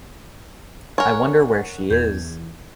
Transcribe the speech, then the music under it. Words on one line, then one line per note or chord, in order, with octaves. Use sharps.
I wonder where she is!
A#4 C#5 F#5 G#5
E2 G6 G#6